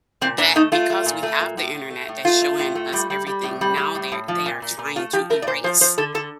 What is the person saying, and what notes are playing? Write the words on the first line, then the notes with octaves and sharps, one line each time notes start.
that because we have the Internet that's showing us everything, now they they are trying to erase,
A#2 C4
A#2 D4
A3 D#4
A3 F4
A3
A#2
A3
A#2
A2
A2
A3
A2
A3 F4
A3
A2
A3
G3
G3
G3
A2
G3
G3
A2
A2
F3
A#2
A#2
A#2
A3 F4
F3 G4
A3 A#4
D5
A#2 C5
F3 C5
F3 C5
D3 A4
D3 A4